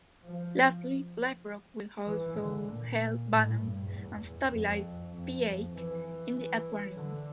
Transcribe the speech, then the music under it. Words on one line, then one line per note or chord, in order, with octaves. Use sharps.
Lastly, live rock will also help balance and stabilize pH in the aquarium.
F3
E3
D3
A#2
A2
G2
E2
F2
F2
E3
E3
D3